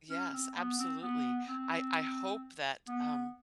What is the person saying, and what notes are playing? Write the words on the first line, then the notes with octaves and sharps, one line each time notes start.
Yes, absolutely. I I hope that, um,
C#4
C4
B3
C4
B3
C4
B3